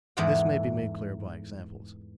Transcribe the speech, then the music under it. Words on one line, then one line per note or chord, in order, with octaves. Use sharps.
This may be made clear by examples.
E2 G#2 E3 A3 D5 F#5